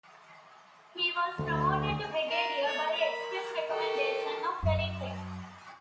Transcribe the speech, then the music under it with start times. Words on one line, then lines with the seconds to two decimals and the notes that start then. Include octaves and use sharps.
He was promoted to Brigadier by express recommendation of Wellington.
1.38 D2
2.27 D4 A#4
2.66 A3 C#5
2.95 A#4 B5
3.69 D#3 F#4 G4 A4 C#6
4.63 F#2